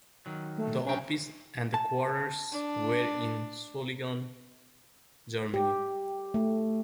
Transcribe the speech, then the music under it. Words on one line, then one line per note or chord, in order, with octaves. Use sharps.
The office and the quarters where in Solingen, Germany.
D#3 F#3
A3
B1 C#4 D4 G5
A5
D4
G4
A3